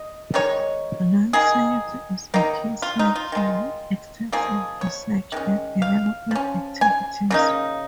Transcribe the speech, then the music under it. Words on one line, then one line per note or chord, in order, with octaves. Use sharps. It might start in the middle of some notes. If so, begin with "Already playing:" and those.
Life science is a key sector with extensive research and development activities.
Already playing: D#5
D#3 G#3 D#4 C#5
D#3 A#3 D#4 G#4
D#3 A#3 D#4
F4
D#4
F4
D#3 G#3 D#4
F3 A#3 D#4 G#4
C#5
D#3 G#3 C#4
F5
F3 C#4
G#5
C#3 A#3 D#4